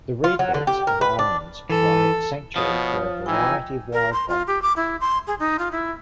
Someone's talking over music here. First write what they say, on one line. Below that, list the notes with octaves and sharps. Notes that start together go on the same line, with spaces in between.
The reed beds and islands provide sanctuary for a variety of wildlife.
F4
F#3
D3
G4
A#4
B4
D4
E3 A4
B2 F3 C#5 D#6
E3 D#4 G5 G#5 E6
A#4
C6
F4
G4
D6
E4
C6
G#4
D#4
F4
E4